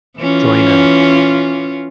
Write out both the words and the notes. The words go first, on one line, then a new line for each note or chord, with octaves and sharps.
join a
E3 C#4 F4